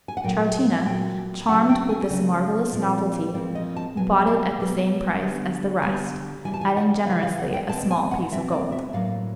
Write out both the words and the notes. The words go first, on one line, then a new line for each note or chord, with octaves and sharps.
Troutina, charmed with this marvellous novelty, bought it at the same price as the rest, adding generously a small piece of gold.
G#5
F#5
A#2 F#3 A3 G5
A#2 F#3 A3 G5
C#3 F#3 A#3 C#4 F#5
G5
G#5
C#3 F#3 A#3 C#4
A#2 F3 G#3 C4
A#2 F3 G#3 C4 D5
D#5
A5
B2 F#3 B3 G#5
A5
B2 F#3 B3
D3 G3 B3
D3 G3 B3 G#5
C#3 E3 G3 G#5
A5
G#5
F#5
C#3 E3 G3 F5
F5
F#5
G5
B2 G#3 C4 A5
G#5
F#5
B2 G#3 C4 E5
D5
E5
A2 F#3 A#3 F5